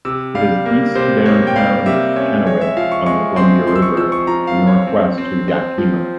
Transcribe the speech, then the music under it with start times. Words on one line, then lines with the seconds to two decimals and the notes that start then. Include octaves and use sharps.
It is east to downtown Kennewick on the Columbia River and northwest to Yakima.
0.05 C3 E6
0.35 G3 F5
0.65 A#3
0.95 C3 C5
1.26 A#3 C#5
1.47 G5
1.56 G3 F5
1.86 C3 E5
2.16 C#4 C#5
2.46 G#3 C#5
2.61 E5
2.77 F3 F5
2.92 C#6
3.06 G#3 C#6
3.36 C4 C6
3.67 F3 C6
3.76 E6
3.82 C#6
3.97 F3 E6
4.12 C#6
4.27 F3 A#5
4.47 F5
4.57 F3
4.67 C#5
4.87 C4
5.18 C4
5.48 C4
5.78 F3